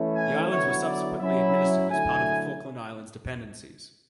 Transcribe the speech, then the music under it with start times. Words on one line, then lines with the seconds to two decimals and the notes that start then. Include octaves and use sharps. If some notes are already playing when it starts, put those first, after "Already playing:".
The Islands were subsequently administered as part of the Falkland Islands Dependencies.
Already playing: E3 A3 C#4 E4
0.15 G#5
0.50 D3 F#3 B3 E4 C#5
0.86 D5
1.20 F#3 C#4 E4 E5
1.89 D3 F#3 A3 E4 G#5